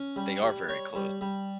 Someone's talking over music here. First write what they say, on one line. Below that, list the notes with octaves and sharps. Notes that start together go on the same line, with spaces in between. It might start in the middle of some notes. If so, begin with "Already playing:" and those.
they are very close.
Already playing: C#4
G3
G3
C#5
G3
G3